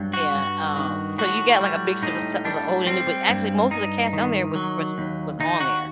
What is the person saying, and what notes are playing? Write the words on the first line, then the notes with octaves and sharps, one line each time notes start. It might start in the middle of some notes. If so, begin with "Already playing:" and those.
yeah, um, so you got, like, a mix of a sa of the old and new, but actually, most of the cast on there was was was on there,
Already playing: G2 F#3
F#4
G2
D#3
A2 F#4
G3
A2 D#4
G3 D4
G3 C4
G2
G2 D#4
D#3
F#3
D#2
D#2 D#4
F#4